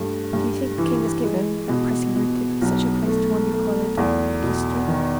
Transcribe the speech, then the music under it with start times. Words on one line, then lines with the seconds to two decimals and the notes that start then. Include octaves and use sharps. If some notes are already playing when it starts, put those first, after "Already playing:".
"Do you think the king has given, without pressing motive, such a place to one you call a little cuistre?"
Already playing: G2 A3
0.33 G2
0.78 E3
1.24 G#3
1.69 B2
2.16 B2
2.61 B1
3.06 A3
3.52 A3
3.97 E2
4.43 B2
4.88 D#3